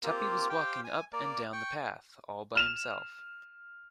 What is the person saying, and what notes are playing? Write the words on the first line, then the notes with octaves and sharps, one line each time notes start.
Tuppy was walking up and down the path, all by himself.
A#3 C4 F4 G4 A#4
G4 C5 F5 G5
G#5
A#3 A#4 D5
G5 C#6
F6 E7 F7